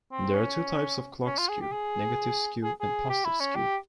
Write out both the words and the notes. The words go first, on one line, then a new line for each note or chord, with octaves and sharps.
There are two types of clock skew: negative skew and positive skew.
C4
C#4
C#4
F4
G#4
G4
G#4
G#4
G#4
G4
E4
C#4
G4